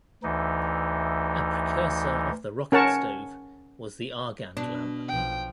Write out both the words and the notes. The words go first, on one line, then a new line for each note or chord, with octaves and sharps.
A precursor of the rocket stove was the Argand lamp.
D2 E3 D#4
C#4 A#4 F#5 A5 C#6
B2 D4
B1 F3 G5